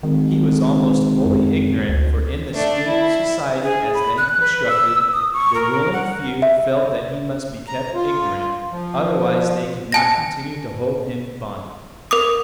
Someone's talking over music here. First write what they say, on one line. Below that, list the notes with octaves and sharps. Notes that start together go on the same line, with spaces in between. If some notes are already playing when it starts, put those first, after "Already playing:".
He was almost wholly ignorant for in the scheme of society as then constructed, the ruling few felt that he must be kept ignorant, otherwise they could not continue to hold him in bondage.
G#1 D#3
F#2
D2
A3 D4
E4
G#4
B5
F#6
B4
E6
D#6
C#6
A#4
F#5
E5
A#5
F4
F3
G#5 A5 A#6
A#4 D6 D#6